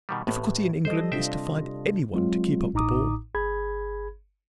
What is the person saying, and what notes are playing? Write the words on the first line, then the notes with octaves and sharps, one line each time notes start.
The difficulty in England is to find any one to keep up the ball.
B2 D#3 G3
A1 A2
G3 A4 C5 D#5
C3 D4 F4 C5 E5 G5
F#3 G#3 C4 F4
A1 A2 D#4 A#5 D6 D#6
G1 G#4 B5 G#6